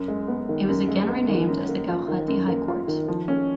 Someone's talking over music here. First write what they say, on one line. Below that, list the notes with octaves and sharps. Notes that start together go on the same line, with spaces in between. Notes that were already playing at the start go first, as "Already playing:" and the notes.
It was again renamed as the Gauhati High Court.
Already playing: F#2
G#3
B3
D#3
F#2
G#3
B3
D#3
F#2
A#3
F4
D#3
F#2
A#3
F4
D#3
F3
C#4